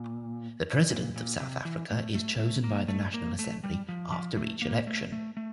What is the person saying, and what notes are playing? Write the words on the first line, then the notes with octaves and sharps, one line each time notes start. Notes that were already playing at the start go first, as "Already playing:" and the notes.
The President of South Africa is chosen by the National Assembly after each election.
Already playing: A#2
A#2
A#2
C3
E3
A3
A3
A3
A#3
A3
A#3
A3
G3
F3
E3
F3
A3
A#3
A3
A3
A3